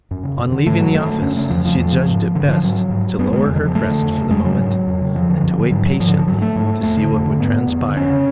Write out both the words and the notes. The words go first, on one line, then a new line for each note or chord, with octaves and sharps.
On leaving the office she judged it best to lower her crest for the moment and to wait patiently to see what would transpire.
F#2
C#3
F#2
D3
G#2 A3
F#3
F#2 A3
D3
F#2 C#4
C#3 A3
F2 F3
C#3 F3
F2 F3
C#3
G#2
G#2 D3
F3
G#2 F#3
G#2
F#2 B3
D3 G#3
F2
D3
C#3
F3
F#2 A3
D3
F2
C#3
F2 G#3
C#3 F#3
G#2
F2
C#3
F2 F3
D3
F#2
D3
G#2 F#3
F#3
G#2 F3
D3
F3
G#2 F#3
A3
G#2
F2 A3
D3
F2
D3
G#2 B3
F2
D3
F2 C#4
C#3